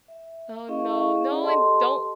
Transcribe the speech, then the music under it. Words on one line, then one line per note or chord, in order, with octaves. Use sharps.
Oh, no. No, and don't
E5
C#4 E4 G#4 D#5 F5 C#6
G#4 C#5 D5 F#5
G4 A4 D#5 A5 C6